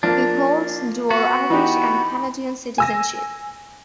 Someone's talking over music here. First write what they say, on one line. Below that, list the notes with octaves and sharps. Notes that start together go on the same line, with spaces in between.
He holds dual Irish and Canadian citizenship.
F3 A#3 D4
B3 F#4
E3 D#4 G4 B5
G#5 E6 A#6